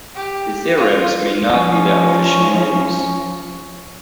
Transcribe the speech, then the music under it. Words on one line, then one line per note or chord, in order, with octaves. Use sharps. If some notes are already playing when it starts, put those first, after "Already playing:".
The theorems may not be their official names.
G4
F4
F3 C#4